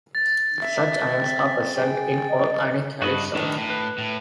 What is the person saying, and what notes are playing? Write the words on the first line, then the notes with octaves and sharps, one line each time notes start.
Such ions are present in all ionic halide salts.
A6
E5
C4
G#4 G5
D#5
G2 F#4 D#5 B5
A2 D#3 D4 D#4 B4
A2
B4
A2